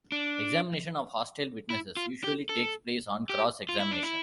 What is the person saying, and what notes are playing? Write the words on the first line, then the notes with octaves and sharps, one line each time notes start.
Examination of hostile witnesses usually takes place on cross-examination.
D4
E4
F4
G4
A4
G4
F4
E4
D4
E4